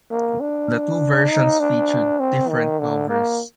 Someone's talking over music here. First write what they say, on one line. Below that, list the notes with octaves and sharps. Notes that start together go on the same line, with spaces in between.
The two versions featured different covers.
A#3
D4
D#4
D4
C4
D#3
D3
A#3